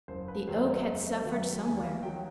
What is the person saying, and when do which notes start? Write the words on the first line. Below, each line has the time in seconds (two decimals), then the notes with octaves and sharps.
The oak had suffered somewhere.
0.08 F#1 C5
0.28 B4
0.48 F#2 D#3 F#3 C5
0.67 D5
0.86 F#1 D#5
1.25 F#2 D#3 F#3 F5
1.64 D#2 G#5
1.83 F5
2.03 D#3 F#3 G5